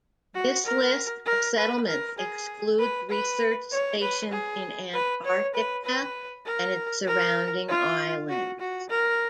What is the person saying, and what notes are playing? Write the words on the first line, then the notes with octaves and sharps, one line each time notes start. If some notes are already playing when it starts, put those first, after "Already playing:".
This list of settlements excludes research stations in Antarctica and its surrounding islands.
F#4
A#4
A#4
B4
A#4
G#4
B4
B4
C#5
B4
G#4
B4
C#5
B4
B4
A#4
A#4
F4
F#4
F#4
A#4